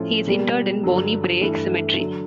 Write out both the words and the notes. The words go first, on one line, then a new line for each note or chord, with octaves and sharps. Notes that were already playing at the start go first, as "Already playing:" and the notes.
He is interred in Bonnie Brae Cemetery.
Already playing: A2 F3 A3 C#4 F4
B2 G3 A#3
G2 D3 F#3
G2 E3 A3
D3 F#3